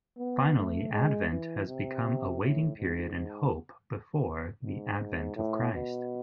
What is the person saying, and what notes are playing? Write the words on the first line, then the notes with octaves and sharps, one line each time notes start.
Finally, Advent has become a waiting period and hope before the advent of Christ.
B3
A3
G#3
E3
C3
A2
G#2
G#2
G#2
A2
B2